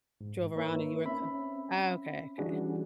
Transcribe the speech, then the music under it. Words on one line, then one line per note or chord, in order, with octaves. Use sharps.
drove around and you were co Oh, okay, okay.
G#2
A#3 D#4 A#4 B4 C#5 E5
C4 C#4 E5 B5
E3 G3 C#4 D4 F#4 G#4